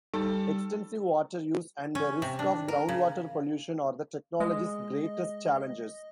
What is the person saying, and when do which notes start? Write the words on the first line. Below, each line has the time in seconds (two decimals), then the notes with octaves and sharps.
Extensive water use and the risk of groundwater pollution are the technology's greatest challenges.
0.14 G3 D#4 A4
1.95 C#4
2.22 C3
2.39 D4
2.68 A#4
2.89 C#3
4.40 G#3 D#5